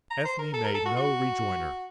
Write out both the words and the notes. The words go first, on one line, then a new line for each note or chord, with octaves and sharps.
Ethne made no rejoinder.
A#5
C5
A#4
A4
A#4
A4
F#4
F#4